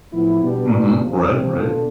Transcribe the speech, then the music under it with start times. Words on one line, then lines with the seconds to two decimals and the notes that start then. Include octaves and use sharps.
Mhm, right, right.
0.12 A2 F3 B3 E4
0.41 B2 G3 B3 D4
0.70 B2 B3 D4
0.98 F2 C3 F3
1.26 C3 F3 C4
1.54 B2 B3 D4 F4 A4